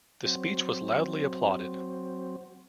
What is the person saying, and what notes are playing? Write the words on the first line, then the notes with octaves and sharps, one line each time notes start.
The speech was loudly applauded.
F#3 C4